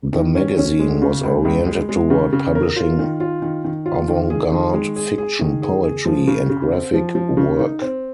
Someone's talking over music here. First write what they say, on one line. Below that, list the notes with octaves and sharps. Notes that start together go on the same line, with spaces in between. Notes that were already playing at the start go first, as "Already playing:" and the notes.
The magazine was oriented toward publishing avant garde fiction, poetry, and graphic work.
D#3
C#4
C#4
G#3
C#3
C#2
C#2
G#3
G#3
C#3
C#3
A#4
F4
D#3
F4
D#3
D#3
F4
D#3
G#4
D#3
G#3
G#4
G#4
D#3
G#4
G#4
F3
C#3
C#3
C4
F3
F3
C#3
D#4
C4